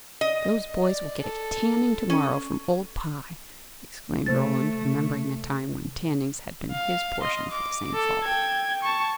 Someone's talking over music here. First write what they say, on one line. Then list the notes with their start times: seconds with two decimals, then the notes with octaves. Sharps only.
"Those boys will get a tanning, to-morrow, from old Pye!" exclaimed Roland, remembering the time when "tannings" had been his portion for the same fault.
0.21 D#5
0.83 D5
1.21 A4
2.10 C#4
4.26 C3 A3 C5 A6
6.71 F5
7.21 D#5 C6
7.51 D6
7.94 A4
8.24 G5 G#6
8.83 A5 C#6